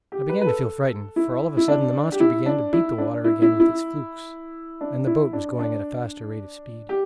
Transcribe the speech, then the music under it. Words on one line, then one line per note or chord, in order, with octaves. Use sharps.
I began to feel frightened, for all of a sudden the monster began to beat the water again with its flukes, and the boat was going at a faster rate of speed.
G4
B4
B4
A4
E4
E4
D4
G4
E4
D4
E4
D4
E4
E4
E4
D4
E4
D4
D4
G4